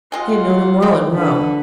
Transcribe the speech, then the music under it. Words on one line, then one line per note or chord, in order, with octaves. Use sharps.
He had known him well in Rome.
G#3 C4 F4 D#5 F#5
C4 D5 G5
D3 B4 B5